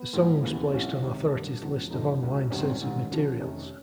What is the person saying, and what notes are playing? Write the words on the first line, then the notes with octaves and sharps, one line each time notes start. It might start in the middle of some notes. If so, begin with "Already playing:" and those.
The song was placed on authorities' list of online censored materials.
Already playing: B3
A#1 G#2 E3
D#2 C#3 E3 A#3
B3
C4
C2 A#2 F3 C#4
C#2 C3 D#3
C#4
A1 G2 D#3 D4
E1 E2 C#3 F3
G1 G2 D3 F3 D#4
C#2 B2
G#1 G2 D#3 C#4
C4
C#4
A1 G#2 D#3
D2 C#3 F3
F1 F2 C3 D#3 C#4